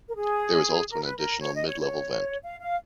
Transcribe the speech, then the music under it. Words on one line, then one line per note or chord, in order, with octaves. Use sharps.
There was also an additional mid-level vent.
A#4
G#4
A#4
B4
A#4
C#5
D#5
C#5
C#5
F5
F5